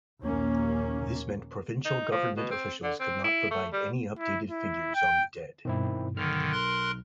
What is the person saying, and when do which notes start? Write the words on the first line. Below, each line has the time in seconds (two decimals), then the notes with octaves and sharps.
This meant provincial government officials could not provide any updated figures on the dead.
0.23 A#1 D#2 A#3 C#4
1.85 D#4
2.12 F3
2.37 B2
2.51 C4
2.83 D3
3.00 C4
3.24 E4
3.51 A3
3.73 G3
4.19 E4
4.50 E4
4.95 G5
5.65 G2 B2 D#3 C4 E4
6.16 B1 D3 D#3 F6
6.52 A#4 C6 F#6